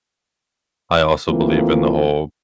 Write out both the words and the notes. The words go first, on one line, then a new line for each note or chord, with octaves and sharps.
I also believe in the whole
E3 A3 A#3 C4 F4